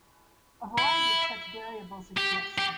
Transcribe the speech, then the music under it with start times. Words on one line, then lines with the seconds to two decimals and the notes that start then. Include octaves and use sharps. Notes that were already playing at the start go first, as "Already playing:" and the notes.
A variety of such variables exist.
0.78 E4
2.17 G4
2.58 G4